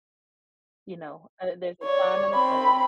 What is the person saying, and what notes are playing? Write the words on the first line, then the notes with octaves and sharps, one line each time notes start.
You know, uh, there's a time and a place.
C#5 D5
C4 B5